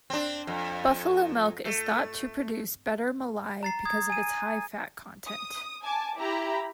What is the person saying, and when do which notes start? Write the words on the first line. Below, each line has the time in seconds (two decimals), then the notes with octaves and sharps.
Buffalo milk is thought to produce better malai because of its high fat content.
0.10 C4 D4
0.47 F2
1.65 A3
3.63 A#5 A6 C7
3.85 D#6 G#6
4.10 G#5 D#7
5.26 D#6
5.83 G#5 A5 D6
6.19 E4 G4 A#5 B5